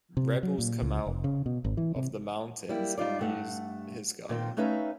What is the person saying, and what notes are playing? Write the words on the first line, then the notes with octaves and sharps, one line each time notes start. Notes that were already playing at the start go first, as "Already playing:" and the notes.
Rebels come out of the mountains and use his garden.
C3
F#3
A#2
C#2
F1
C#3
B2
G#1
E3
C3
G3 A#3 E4
G3 D#4 F4 D5
G2 A3 F#5
A#2 D#3 C4
A3 C#4 D#4 B4 E5 F5